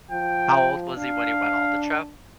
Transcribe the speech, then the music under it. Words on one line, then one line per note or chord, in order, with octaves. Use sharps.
How old was he when he went on the trip?
F3 G5
D4 F5